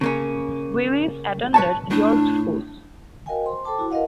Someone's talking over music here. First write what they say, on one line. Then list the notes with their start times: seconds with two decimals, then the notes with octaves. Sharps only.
Willis attended York School.
0.01 C#3 A#3 C#4
1.54 B4 C#5 A5
1.91 A2 D4
3.26 F#4 A#4 D#5 F5 G5 G#5
3.44 C5 C6
3.65 A4 C5 G5 A5 D6
3.78 E4 F#4
3.91 A#4 B4 D#5 F5 F#5